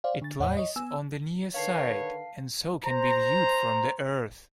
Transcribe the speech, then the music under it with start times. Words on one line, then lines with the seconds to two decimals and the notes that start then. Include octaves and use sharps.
It lies on the near side and so can be viewed from the Earth.
0.04 C5 D5 F5
0.22 D3 A6
0.40 E2 A2 C#5 F#5
0.57 C#5 D#5
0.76 B3 G#5 E6
1.54 D3 D#3 B4 C#5 F5 A5 C7
2.85 C5 A#5